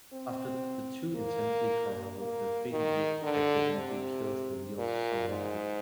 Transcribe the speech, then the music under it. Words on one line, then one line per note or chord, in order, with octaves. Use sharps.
After the two intensely quarrel, the fake Yik accidentally kills the real Sung Yik.
C4
A#3
A#3
D#3
D3
C3
A#2
G#2